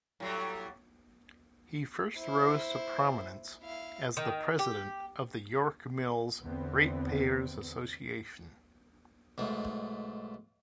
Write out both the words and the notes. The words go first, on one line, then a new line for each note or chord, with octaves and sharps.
He first rose to prominence as the president of the York Mills Ratepayers Association.
A2 F#3 G3
E4 C5
E4 F5
D#3
G4
E2 D3 B3 C4
B1 G#2 A3